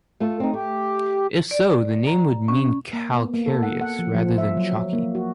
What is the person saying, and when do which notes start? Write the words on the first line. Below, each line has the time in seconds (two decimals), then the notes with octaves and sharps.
If so, the name would mean 'calcareous' rather than 'chalky'.
0.20 A3 F4 A4
0.40 C4 D#4
0.54 A3 G4
1.51 D5
2.07 A#5
2.48 C#4
2.93 A#3
3.15 B3
3.34 A#3
3.46 A4
3.63 F#5
3.81 F#5
3.99 F3
4.15 F3
4.38 E5
4.57 F#3
4.93 A#3
5.15 F#4